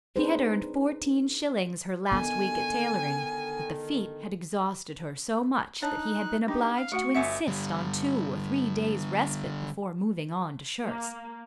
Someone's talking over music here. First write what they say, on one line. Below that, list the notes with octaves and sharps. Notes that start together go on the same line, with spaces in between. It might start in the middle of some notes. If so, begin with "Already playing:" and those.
She had earned fourteen shillings her last week at tailoring, but the feat had exhausted her so much that he had been obliged to insist on two or three days respite before moving on to shirts.
C4 D4 D#4 G#4 B4 C5
D3 D#3 B3 A4 G#5
D4 D#4 C#5 A5 F#6
D4 D#4 G4
F5
A3 F#4 F#5 C#6
G1 E5 F#5 G#5 C#7
D3 G3
A#3